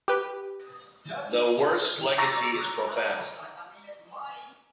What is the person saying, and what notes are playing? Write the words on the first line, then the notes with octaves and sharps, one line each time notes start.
The work's legacy is profound.
G4 B4
A#5 C#6 D6 E6 A6 A#6